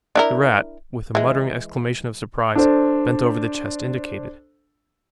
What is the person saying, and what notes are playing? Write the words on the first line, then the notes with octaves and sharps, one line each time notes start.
The Rat, with a muttered exclamation of surprize, bent over the chest indicated.
D4 E4 A#4
E3 G#3
D4 A4 C5